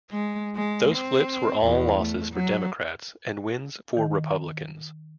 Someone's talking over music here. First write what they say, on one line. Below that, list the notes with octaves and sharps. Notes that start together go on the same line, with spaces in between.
Those flips were all losses for Democrats and wins for Republicans.
G#3
G#3
C4
E2
A3
F#3
D#3